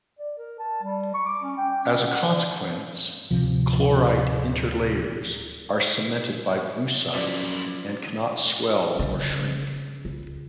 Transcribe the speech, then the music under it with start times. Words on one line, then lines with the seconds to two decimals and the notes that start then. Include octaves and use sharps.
As a consequence, chlorite interlayers are cemented by brucite and cannot swell nor shrink.
0.19 D5
0.38 A#4
0.59 A5
0.82 G3
1.14 C#6
1.26 D6
1.43 C#4
1.58 G5
1.84 C#4
2.07 F#5
2.29 D5
3.31 D1 C3 F3
7.14 F#2 A#2 F3 E4 D5
8.99 C#3
10.05 C#2